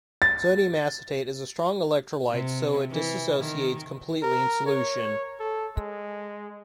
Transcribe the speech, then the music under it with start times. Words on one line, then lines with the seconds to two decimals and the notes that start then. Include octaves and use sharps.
Sodium acetate is a strong electrolyte so it dissociates completely in solution.
0.22 A6
2.30 C3
2.91 E3
3.40 D#3
4.23 A#4
4.67 C#5
5.40 A4
5.77 G#3